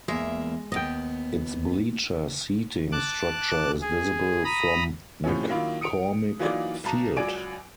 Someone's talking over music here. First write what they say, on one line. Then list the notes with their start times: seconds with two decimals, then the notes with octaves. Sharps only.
Its bleacher seating structure is visible from McCormick Field.
0.08 E2 G#3 A#3 E5
0.72 D#2 B3 D#5 G5
2.92 A5 D6 F#6
3.81 G#4
4.44 A#5 B5 D#6
5.24 A2 C3 F3 C#4
5.49 D#3 F#3 A#3 E4 F4
5.81 D#6 C#7 D7 F7
6.39 E3 F#3 A#3 D#4 F4 D5
6.84 B1 A5 A#5
7.16 C#2 F#3 D5 G#5 D7